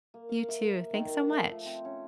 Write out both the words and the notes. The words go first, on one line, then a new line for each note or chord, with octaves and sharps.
You too. Thanks so much.
A#3
F5
E5
A#4
D#3
E5
A3
F3
C4
C#4